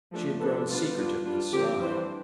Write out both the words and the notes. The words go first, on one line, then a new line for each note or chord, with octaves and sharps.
She had grown secretive and sly.
F3 A3 D4 A4
F3 B3 D4 A4
G3 B3 D4 F4
G3 B3 D4 F4
G3 D4 F4
D3 F3 C4 G4
E3 G3 D4 C5